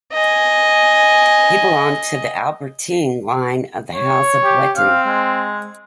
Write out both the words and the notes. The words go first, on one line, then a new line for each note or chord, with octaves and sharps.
He belonged to the Albertine line of the House of Wettin.
D#5 G#5
C#5
G4
C4 F5
G#3